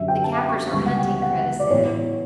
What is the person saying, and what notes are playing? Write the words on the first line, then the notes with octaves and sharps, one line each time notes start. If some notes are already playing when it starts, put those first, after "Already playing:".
"The Kaffirs are hunting," Kreta said.
Already playing: F#2 D3 F#3 C#4 E5
G5
A5
C#6
C#2 C#3 G3 B3 C#6
F#5
G5
F#5
D5
A2 E3 B3 C#5